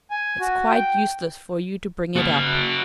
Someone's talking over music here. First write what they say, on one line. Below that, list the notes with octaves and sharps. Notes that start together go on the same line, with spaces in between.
It's quite useless for you to bring it up.
G#5
F#4
G5
F#4 A5